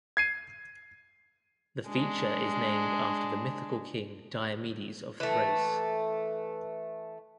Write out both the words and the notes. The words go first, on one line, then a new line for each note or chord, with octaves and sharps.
The feature is named after the mythical king Diomedes of Thrace.
G#6 C7 D#7
G#3 D4
E3 A3